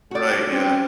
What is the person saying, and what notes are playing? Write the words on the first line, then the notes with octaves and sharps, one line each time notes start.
Right, yeah.
F#4 D5
C4 C#4